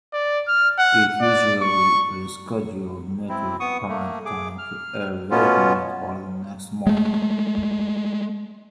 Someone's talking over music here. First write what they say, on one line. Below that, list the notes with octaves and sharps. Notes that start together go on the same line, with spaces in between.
It usually rescheduled network prime time to air late-night or the next morning.
D5
F6
F#5
D5
C#6
C4 E4
B3 C#6 D#6
A3 A#3
G#4 D6
F6
B2 B3 C#4 F4
G#3 A3